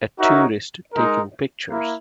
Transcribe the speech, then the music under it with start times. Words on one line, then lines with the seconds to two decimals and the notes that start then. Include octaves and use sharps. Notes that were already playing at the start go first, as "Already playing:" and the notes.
A tourist taking pictures.
0.18 D#4 F#4 A#4 C#5 E5
0.93 G#3 D#4 A#4
1.69 A#3 E4